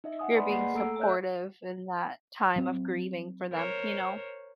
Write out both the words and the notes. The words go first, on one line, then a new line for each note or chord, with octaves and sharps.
you're being supportive in that time of grieving for them, you know?
D#4 D#5 E5
F#5 G#5 D#6
B4 D5 D#5 G#5 B5 C6
A#3 G#4 F#5 G#5 C7
A3 A4 A#5 E6 D7
C#5 D#5 E5 F#6 G6
F#3 C4
A#4 C5 C#5